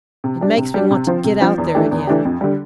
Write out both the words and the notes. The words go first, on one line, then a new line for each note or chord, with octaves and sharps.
It makes me want to get out there again.
C3
G3 D4
C3
G3 D4
C3
F3 C4
C3
F3 C4
E2
E3 A3 D4 G4
E2
E3 A3 D4 G4
F2
D3 G3